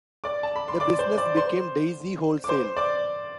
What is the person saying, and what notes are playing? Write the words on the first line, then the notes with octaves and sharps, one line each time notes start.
The business became Daisy Wholesale.
D5 D6
A5
B5
C6
D5 D6
C5 C6
D5 D6
C5 C6
D6
C5 C6
D5 D6